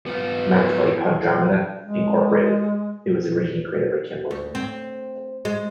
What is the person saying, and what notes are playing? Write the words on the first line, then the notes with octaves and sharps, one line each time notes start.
Marketed by Pandromeda Incorporated it was originally created by Ken Musgrave.
B3 F4
G#3
D2
C4
G#3